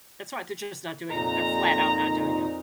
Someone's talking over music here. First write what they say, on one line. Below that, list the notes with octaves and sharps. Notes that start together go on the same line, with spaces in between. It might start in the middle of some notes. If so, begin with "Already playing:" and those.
That's right, they're just not doing 'em. They're flat out not doing 'em.
F2 A#2 D#4 A#5